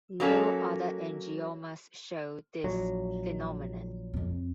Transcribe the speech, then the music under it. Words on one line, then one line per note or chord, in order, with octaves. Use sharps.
No other angiomas show this phenomenon.
F#3 A#3 C#4 A4
A#1 F#3
F2 C4